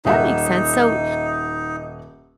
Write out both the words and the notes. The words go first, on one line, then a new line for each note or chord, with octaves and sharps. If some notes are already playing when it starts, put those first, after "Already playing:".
That makes sense, so
D#1 D#4 E5 F#5